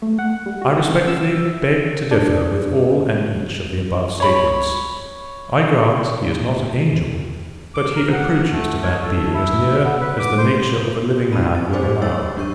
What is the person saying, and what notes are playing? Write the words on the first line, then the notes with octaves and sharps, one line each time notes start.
I respectfully beg to differ with all and each of the above statements. I grant he is not an angel, but he approaches to that being as near as the nature of a living man will allow.
A3
F#5
G3
F#4
F#5
C#3
E6
E5
D4
C#5 B5
D6
A#4
F#5
A3
C#5
A4
E4
B3
B4
D6
C5
C4 D#4 B5 D#7
C4 A6
G4 G#4 C5 D5 G#5 D6
F#3 C#5 E6 A6
F#3 D4 G4 C#6 G6 D#7